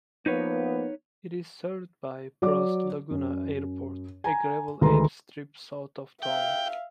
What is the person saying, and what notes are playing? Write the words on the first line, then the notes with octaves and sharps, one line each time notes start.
It is served by Brus Laguna Airport, a gravel airstrip south of town.
F3 A#3 B3 D#4 B4 C#5
F#3 D5 D6
F#2
G#5 A#5
D2 D#3 G#3 B4 A#5 C6
E5 F5 G5